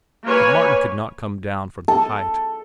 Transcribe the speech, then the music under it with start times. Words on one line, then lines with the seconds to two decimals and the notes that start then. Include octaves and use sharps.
But Martin could not come down from the height.
0.25 A#3 B4 C#5 G#5
1.88 A4